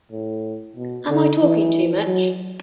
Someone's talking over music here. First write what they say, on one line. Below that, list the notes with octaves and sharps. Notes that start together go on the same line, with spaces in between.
Am I talking too much?
A2
B2
D3
E3
F#3